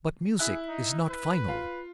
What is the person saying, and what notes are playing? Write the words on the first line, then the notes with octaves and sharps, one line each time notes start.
But music is not final.
E4 G#4 F#6
D#4
B4
F4